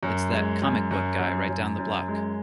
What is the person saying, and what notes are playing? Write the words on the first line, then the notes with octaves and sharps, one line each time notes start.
It's that comic-book guy right down the block.
F#2
G#3
F#2
F#2
F#2
F#2
F#2
G#3